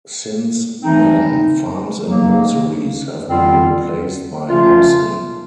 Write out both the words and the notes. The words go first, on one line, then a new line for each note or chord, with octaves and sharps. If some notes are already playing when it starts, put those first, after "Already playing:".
Since then, farms and nurseries have been replaced by housing.
G#2 E3 A3 C4 D#4
C#3 F#3 A#3 D#4
F2 D3 G3 C4 F4
C#3 F3 A3 C#4 F4